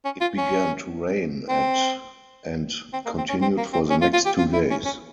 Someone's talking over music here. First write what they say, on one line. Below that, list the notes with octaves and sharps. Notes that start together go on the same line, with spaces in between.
It began to rain at and continued for the next two days.
C#4
F4
C#4
C4
C4
A#3
C4
C#4
C4
A#3
C4
C#4
F4
F4
G4
F4
E4
C#4
C#4